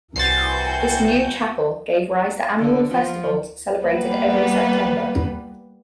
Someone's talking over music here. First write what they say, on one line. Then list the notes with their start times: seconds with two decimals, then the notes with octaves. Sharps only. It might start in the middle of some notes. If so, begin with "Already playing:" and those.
This new chapel gave rise to annual festivals celebrated every September.
0.16 C2 E3 F#4 A#4 G#5 G6 A6 C7
2.58 D3
2.91 F3
3.85 G3 A#3 B3 B4